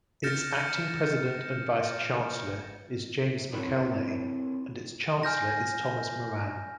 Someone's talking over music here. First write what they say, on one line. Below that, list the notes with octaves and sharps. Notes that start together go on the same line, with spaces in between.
Its acting President and Vice-Chancellor is James McElnay, and its Chancellor is Thomas Moran.
F6 G6 A6 A#6 C#7 E7
C4 E4 A4 A#4 C#5
G#5 F6 G6 A#6